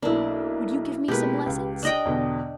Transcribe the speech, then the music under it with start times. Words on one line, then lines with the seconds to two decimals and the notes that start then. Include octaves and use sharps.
Would you give me some lessons?'
0.02 B1 A#3 D4 E4
1.08 B2 G#3 A#3 G4 B4
1.46 C#2
1.83 D4 D#5 G5
2.05 E2 B2 D3